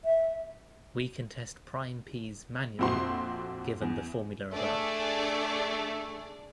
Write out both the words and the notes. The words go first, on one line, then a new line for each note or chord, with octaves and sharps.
We can test prime "p"'s manually given the formula above.
E5
A#1 F2 C4 F#4 C6
E2
A3 D4 G#4 D5